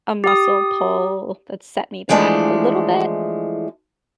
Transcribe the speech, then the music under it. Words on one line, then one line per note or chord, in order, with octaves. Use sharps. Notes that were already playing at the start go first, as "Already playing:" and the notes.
a muscle pull that set me back a little bit,
G4 D#6
E3 F3 G#3 A3 D4